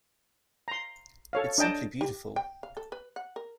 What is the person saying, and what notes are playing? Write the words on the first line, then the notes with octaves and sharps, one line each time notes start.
It’s simply beautiful.
A#5 C6
A4 C#5 F5
D4 D#5 G5 A5
G4
G5
F5
A4
B4
F#5
A#4